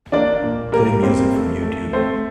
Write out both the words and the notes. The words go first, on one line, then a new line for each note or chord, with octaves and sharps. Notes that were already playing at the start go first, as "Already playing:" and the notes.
Play music from Youtube.
A#3 D4 D5
A#2
G3 A#3 A#4
A#3 C4 C5
A3
A3
A3 C4 C5